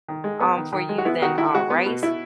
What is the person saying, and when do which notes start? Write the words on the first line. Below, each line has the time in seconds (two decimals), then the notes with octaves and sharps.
um, for you than, uh, rice,
0.08 D#3
0.24 G#3
0.40 B3
0.57 D#3
0.73 D#3
0.89 G#3
0.98 F#4
1.05 B3 E4
1.22 D#3 F#4
1.38 D#3 E4
1.55 G#3 F#4
1.70 B3
1.86 B2
2.03 E4